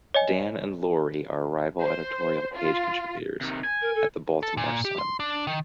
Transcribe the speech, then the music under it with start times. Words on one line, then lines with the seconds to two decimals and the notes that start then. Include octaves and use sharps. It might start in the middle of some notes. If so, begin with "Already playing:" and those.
Dan and Lorie are rival editorial page contributors at the "Baltimore Sun".
0.14 C#5 D#5 G#5
1.81 C5
2.55 F4
3.41 C3 D#3
3.64 G#5
3.82 A#4
3.95 A4
4.43 A4
4.57 A#2
4.85 G4
4.99 C6
5.20 D4
5.47 D#3